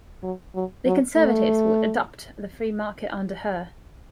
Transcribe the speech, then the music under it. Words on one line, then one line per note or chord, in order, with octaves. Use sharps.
The Conservatives would adopt the free market under her.
F#3
F#3
F#3
A3